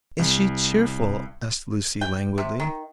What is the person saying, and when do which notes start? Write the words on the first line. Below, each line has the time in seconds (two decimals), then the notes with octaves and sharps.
"Is she cheerful?" asked Lucy languidly.
0.19 C2
2.01 G5
2.38 C3
2.60 D#3